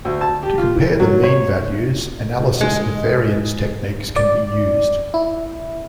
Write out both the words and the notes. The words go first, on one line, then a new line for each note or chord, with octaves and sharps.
To compare the mean values, Analysis of Variance techniques can be used.
D2
A5
G4
F4
E3
F#3
C#5
G#3
D5
E4